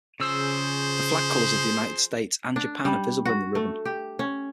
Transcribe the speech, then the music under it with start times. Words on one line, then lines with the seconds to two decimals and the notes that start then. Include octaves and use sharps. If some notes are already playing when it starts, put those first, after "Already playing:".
The flag colors of the United States and Japan are visible in the ribbon.
0.20 C#3 F3 G#4 C5 E6
2.56 D4
2.85 G3
3.25 F#4
3.55 A3
3.85 G4
4.19 C#4